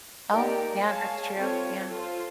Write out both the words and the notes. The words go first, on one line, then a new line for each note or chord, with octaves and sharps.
Oh, yeah, that's true. Yeah.
A#3 D#4 G4 A#4 D5
G#4 C#5 F5 A5
C4 F4 A4 C#5
F4 A4 C5